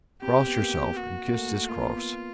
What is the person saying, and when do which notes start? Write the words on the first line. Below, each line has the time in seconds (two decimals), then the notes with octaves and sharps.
Cross yourself and kiss this cross.
0.22 C4 G4
0.34 C4
0.47 B3
0.59 A#3
0.96 F#4
1.28 A#3
1.32 A3
1.45 A#3
1.57 A3
1.69 A#3 F4
1.82 B3
1.94 A#3